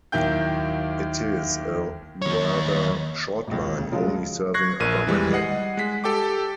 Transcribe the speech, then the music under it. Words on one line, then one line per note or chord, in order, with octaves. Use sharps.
It is a rather short line, only serving upper Manhattan.
D#2 D#3 F#3 E4 G5 G6
D#2 C#5
G#1 C#2
D#2 C#3
C#3 F3 F#3 G#3 A3 F4
C#6 F#6 G#6 A#6 C7
A#1 A#4 D#7
E3 G3 G#3
D#5 F#5 C7
G#3 B6
G4 A4 G5 D6